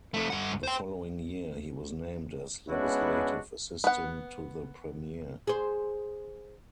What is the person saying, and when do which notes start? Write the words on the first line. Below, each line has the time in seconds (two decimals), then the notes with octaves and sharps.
The following year, he was named as Legislative Assistant to the Premier.
0.14 F2 A3
0.30 G2 F#5
0.63 C5 G5
2.70 G#3 B3 C#4 D4 E4 F#4
3.84 B3 F#5
5.47 G#4 C5